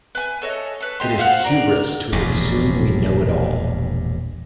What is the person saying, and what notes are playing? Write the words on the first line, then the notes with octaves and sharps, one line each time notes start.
It is hubris to assume we know it all.
B4 G#5
A4 C#5 D#5
A4 B4
F4 G4 D#5 C6
C5 F5 F#5
A#4 D5
E1 A#1 G2